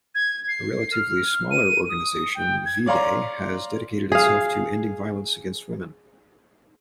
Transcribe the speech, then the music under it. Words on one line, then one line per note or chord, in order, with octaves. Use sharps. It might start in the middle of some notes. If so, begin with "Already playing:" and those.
A relatively smaller organization, V-Day, has dedicated itself to ending violence against women.
G#6
C7
F6
D#7
D#6
G5
G#6
C#5 D5 F5 A#5 C6
G#4 F5